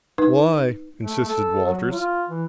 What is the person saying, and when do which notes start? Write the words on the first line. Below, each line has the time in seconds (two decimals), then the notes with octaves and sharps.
"Why?" insisted Walters.
0.18 D#4 B4
1.01 A3
1.28 A4
1.65 F#3
1.92 F4
2.29 E3